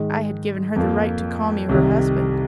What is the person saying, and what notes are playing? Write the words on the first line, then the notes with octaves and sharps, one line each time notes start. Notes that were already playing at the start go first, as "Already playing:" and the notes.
I had given her the right to call me her husband.
Already playing: G#2 D#3 G#3 D#4
F2 F3 A#3
C2 C3 D#3